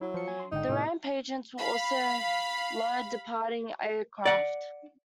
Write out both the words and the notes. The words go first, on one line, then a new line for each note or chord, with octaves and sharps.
The ramp agents will also load departing aircraft.
F#3 E4
F3 C#7
G#5
C6
G#1 D3 D#4 G5
A2 C3 B3
F5 B5
D5 F#5